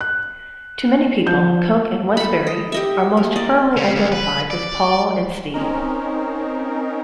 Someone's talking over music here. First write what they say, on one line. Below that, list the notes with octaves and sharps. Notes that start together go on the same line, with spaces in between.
To many people, Coke and Westbury are most firmly identified with Paul and Steve.
F#6
F3 G6
A4 B5
D#5
G4 D#5 E5
A#3
D5 D#5
C#3
D2
B4
D5
C4 C#4 D#4 A#4